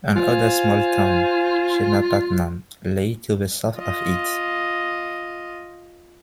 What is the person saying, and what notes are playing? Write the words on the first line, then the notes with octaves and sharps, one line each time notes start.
Another small town, "Chennapatnam", lay to the south of it.
F4 C5 F5 G#5
F4 D#5